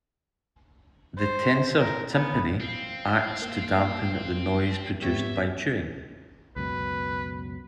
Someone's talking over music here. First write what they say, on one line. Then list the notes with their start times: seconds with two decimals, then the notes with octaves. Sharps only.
The tensor tympani acts to dampen the noise produced by chewing.
1.18 C5
1.80 A#4
2.12 B3
2.61 C4 F5
3.42 A#3
5.02 G#2 B3 G4 C#5 E5
6.56 C#2 F#2 B2 B4